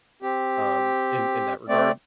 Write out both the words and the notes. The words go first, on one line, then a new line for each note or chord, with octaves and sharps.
um, in in that regard,
C4 G4
A3 C4 D5